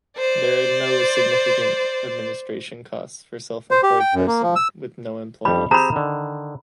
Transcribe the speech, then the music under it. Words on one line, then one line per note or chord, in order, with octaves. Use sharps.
There are no significant administration costs for self-employed person with no employees.
C5 D5
C5
G4
G5
F#2
A#3
F3
E6
F2 G3 B5
C4 G4 G#4 A#5 B5
D3 D#3